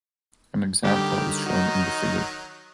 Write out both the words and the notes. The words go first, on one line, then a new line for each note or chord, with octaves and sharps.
An example is shown in the figure.
D3 D#3 F#3 G3 G4
D#4 F#4